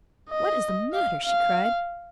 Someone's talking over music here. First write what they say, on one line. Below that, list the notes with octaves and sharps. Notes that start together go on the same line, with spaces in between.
"What is the matter?" she cried.
D#5
F5
F5